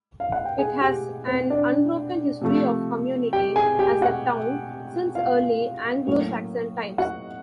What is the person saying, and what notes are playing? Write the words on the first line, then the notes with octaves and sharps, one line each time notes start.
It has an unbroken history of community as a town since early Anglo-Saxon times.
F5
F#5
G5
G#4 G#5
G4 G5
C4 C5
D4 D5
C3 F3 A3
G4 G5
G#4 G#5
G4 G5
F#4 F#5
F4 F5
A2 F#3 A#3 C#4
F#4 F#5